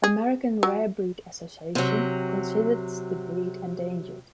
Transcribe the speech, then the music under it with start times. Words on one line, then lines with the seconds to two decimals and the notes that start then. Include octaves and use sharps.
American Rare Breed Association considers the breed endangered.
0.04 G#4
0.63 F#3
1.75 C3 F#3